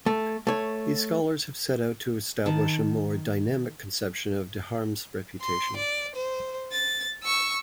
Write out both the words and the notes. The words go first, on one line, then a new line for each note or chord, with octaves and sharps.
These scholars have set out to establish a more dynamic conception of Deharme's reputation.
A3
A3 C#5
D#3 A5
C6
D5
C5
A6
C#6 E6